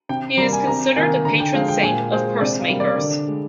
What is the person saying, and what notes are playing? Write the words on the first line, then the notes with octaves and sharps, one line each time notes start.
He is considered the patron saint of pursemakers.
C3 G5
G3 A#3 A#5
G#5
C3 A#5
D#3 A#3 G#5
D3 A#5
G5
F3 G#3 F5
G5
A#2 G#5
G#3 C5
C3 D5
F5
G3 A#3
D5
D3
G#3